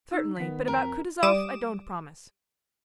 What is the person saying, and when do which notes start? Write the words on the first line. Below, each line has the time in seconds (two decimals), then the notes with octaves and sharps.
"Certainly; but about Kutuzov, I don't promise."
0.11 D#4 E6
0.36 D#3 B3 B6
0.68 F2 A#4
1.23 G3 D6 D#6 E7